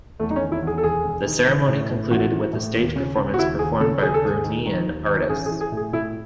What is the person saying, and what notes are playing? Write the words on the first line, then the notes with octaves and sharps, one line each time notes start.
The ceremony concluded with a stage performance performed by Bruneian artists.
E2 A3
D#4
C#4
D#3
E4
E2 G#4
A4
E1 G#4
E1
D#3
A1
A2
A2
A1 F#4
E3
A2
D#2
C#3
C#3
F#4
D#2 E4
D#2 G#4
C#3 A4
D#2 G#4
A4
D#2 G#4
D#3
D#3
D#2
D#3
A1 G#4
G#4
E3
G#4
A2
G#4
A2 E4